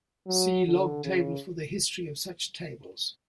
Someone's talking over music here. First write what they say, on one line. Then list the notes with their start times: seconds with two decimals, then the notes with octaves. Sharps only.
See log table for the history of such tables.
0.27 F#3
0.66 D3
1.04 C#3